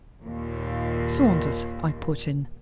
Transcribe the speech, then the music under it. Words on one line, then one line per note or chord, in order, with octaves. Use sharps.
"Saunders," I put in.
D#2 A#2